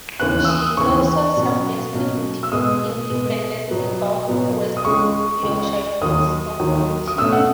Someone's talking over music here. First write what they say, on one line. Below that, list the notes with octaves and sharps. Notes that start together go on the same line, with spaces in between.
She also served as an independent member of the West Yorkshire Police Authority.
D#2 C#3 E3 B3 F#6
E6
D#6
D#2 C#3 E3 B3 C#6
B2 F#3 C#4
B2 F#3 C#4
E6
B2 G#3 B3 D#6
B2 G#3 B3
B2 F#3 B3
B2 F#3 B3
D#6
C#2 C#3 G#3 C#6
C#2 C#3 G#3
D#2 D#3 F#3 D#6
D#2 D#3 F#3
D#6
B2 A3 C#4 E6
F#5